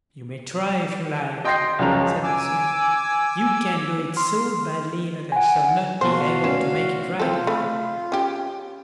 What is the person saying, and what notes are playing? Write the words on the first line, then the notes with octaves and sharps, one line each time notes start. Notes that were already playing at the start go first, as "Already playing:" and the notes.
'You may try, if you like', said the Smith; 'you can't do it so badly that I shall not be able to make it right again.'
D#5 G5 C6 G6 A#6 C7
C#2 F#2 F3 C#4 A#5 F7
G#5 D6 E6
C6 F6
F#5 G#5
B2 A#3 F#4 C5 F5 A5
F1 C#4 E7
C4 F4 A4
A3 B5
C#4 G4